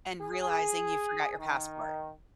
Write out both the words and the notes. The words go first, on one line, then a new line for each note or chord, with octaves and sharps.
and realizing you forgot your passport."
G#4
D#3